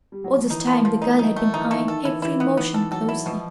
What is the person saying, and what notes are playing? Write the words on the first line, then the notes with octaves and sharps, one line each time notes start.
All this time the girl had been eyeing every motion closely.
G3
F#3
F3
E3 D#4
F3
A#3
F3
A3
D#4
F#3 D#4
F#3 A3
E3 D#4
D#3 A3
D#3 A4
E3 E4
E3 E4
D#3 B3
E3 B3
A4
F#3 A4
E4
B2 F3